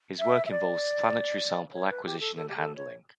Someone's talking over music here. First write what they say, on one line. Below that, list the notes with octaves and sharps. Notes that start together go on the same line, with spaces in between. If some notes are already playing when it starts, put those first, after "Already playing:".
His work involves planetary sample acquisition and handling.
E5
E5
D5
C#5
B4
G4
A4
A4
G4
A4
C#5